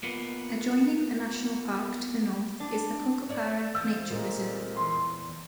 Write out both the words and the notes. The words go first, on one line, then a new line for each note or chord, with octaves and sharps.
Adjoining the national park to the north is the Cocoparra Nature Reserve.
A#3 B3 F4 B4
D4
C#5 D5
F2 E3 F3 E6 G6 A6
A#2 G#3 A#3
E2 C6